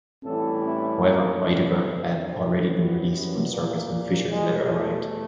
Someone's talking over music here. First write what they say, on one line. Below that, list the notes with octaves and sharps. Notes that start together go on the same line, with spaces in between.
However Heidegger had already been released from service when Fischer's letter arrived.
A2 E3 G3 A4
E4
F#2 D#3 F#3 A#3
B3
F2 D3 G3
C4
F#2 C#3 E3 G3 B3
A#2 F3
E2 B2 G3 G#3
A3